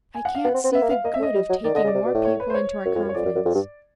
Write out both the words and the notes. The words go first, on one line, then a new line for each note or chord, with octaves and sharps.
"I can't see the good of taking more people into our confidence."
G#5
F#5
F5
B3 F#5
C4
C4
B3 E5
A#3
B3 F5
A#3 D#5
E5
A3
D#5
G3
F#3
D#3 D5
D3 D#5
C#3
D5
C3
B2
A2
C#5
B4
C5
C#5
F#2
F2
F#2
C#5
F2 D5
F#2
F#2
F2
G2